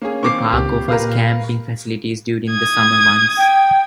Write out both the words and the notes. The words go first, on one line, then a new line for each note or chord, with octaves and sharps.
The park offers camping facilities during the summer months.
A#3 C#4 G#4
D#3 A#3 C4 C#6 D6 C7
C#2 G4
A#2 A#4 B4 F5
D#6 G#6
G5